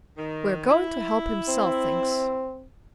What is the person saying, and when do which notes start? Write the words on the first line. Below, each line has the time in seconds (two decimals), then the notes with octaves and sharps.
"We're going to help him sell things."
0.17 D#3
0.70 E4
1.48 C4